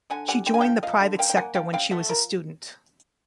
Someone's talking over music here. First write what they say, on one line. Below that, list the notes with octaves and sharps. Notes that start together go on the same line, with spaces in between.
She joined the private sector when she was a student.
D3 F#5 G#5
G3 F#5 G#5
D3 G5
G#5
F3 F5 G5
F3 D#5 F5
D3
A#3 F5 G5
G5
A#3 F#5 G#5
F3 F5 G5
C#3 F5 G5
A3 E5 F#5
F3 A#4